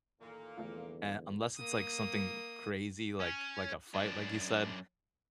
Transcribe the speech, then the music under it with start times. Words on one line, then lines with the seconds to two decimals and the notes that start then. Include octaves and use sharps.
uh, unless it's like something crazy like like a fight, like you said,
0.20 A1 D#2 A#2 A#3
0.57 E2 B2 D3 F3 G3 A3 F4
1.59 A#3 D#6
3.20 C#4
3.94 F#2 D4